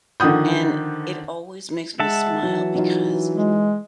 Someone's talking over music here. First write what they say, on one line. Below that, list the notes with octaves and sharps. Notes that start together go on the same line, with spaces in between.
And it always makes me smile because
D3 D#3 F3 F#5 D#6 G6
G#3 E5 F#5 A5
E3 F#3
F#3 D#4 F4
G#3